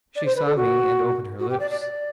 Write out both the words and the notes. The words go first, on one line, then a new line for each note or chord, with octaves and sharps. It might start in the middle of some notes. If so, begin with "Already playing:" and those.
She saw me and opened her lips.
D5
C5
B4
A4
F#4
F#4
G4
D5
D5
D5